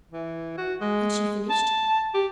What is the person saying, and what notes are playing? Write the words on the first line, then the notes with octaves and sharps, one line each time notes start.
Had she finished?
E3
F#4
G#3
A5
G4